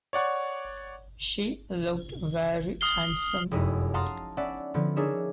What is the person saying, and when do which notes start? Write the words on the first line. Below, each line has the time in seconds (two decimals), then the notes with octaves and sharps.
She looked very handsome.
0.13 C#5 D5 F#5 C#6
2.81 D#6 F6 C7 G7
3.51 F1 F#2 G#3 D#4 E4 D#7
3.94 F5 F#5 A5 A#5 C6 D#6
4.37 B3 C#4 D5 E5 F#5
4.74 D3 F3 B3
4.96 D4 D#4 G#4 A#4 C#5 E5